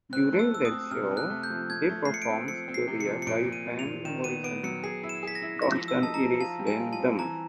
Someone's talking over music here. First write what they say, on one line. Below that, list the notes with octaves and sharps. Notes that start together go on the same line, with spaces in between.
During that show, they performed "Gloria" by Van Morrison's Northern Irish band Them.
C4 F#6
A3
E6
A3 E6
D#6
C4
C3 F6
C3
F#6
A3
G6
F3
A3 G#6
A3
C7
A3 C#7
D7
C4
F3 C#7
C4
C7
C3
C#7
F3
C#7
A#2 D7
A#2
D#7
F3
F7
A#2
D#3 E7
B3 D#7
B3 D7
F#3 C#7
G#4 C7
E4
E7
G#4 B6
A#6
E4
F3 A#6
F3
E6
D#4 A5
A#5
F3
F4 A5
G3
G#5
F4
A5
C4
E3 A#5